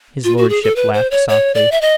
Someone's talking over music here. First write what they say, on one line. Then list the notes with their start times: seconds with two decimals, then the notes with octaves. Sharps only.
His lordship laughed softly.
0.24 F4
0.37 F#4
0.49 G#4
0.63 A4
0.76 B4
0.94 C5
1.11 C#5
1.29 C#5
1.55 D5
1.72 E5
1.81 D#5